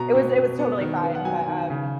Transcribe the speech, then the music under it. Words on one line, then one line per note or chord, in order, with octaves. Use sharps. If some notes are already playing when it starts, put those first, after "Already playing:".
it was it was totally fine, but, um,
Already playing: B2 A#5
B2
B2
B3
D#3
B3
F#5
F#3 G#5
D#3
C#3